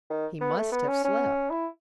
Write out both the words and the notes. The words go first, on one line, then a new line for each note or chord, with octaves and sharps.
He must have slept.
D#3
B3
A3
B3
C#4
C#4
E4